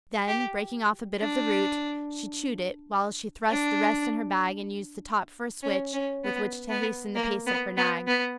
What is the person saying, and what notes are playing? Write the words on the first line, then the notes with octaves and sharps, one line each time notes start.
Then, breaking off a bit of the root, she chewed it, while she thrust the rest in her bag and used the top for a switch with which to hasten the pace of her nag.
G4
D4
D4
C#4
C#4
B3
B3
A#3
B3
B3
B3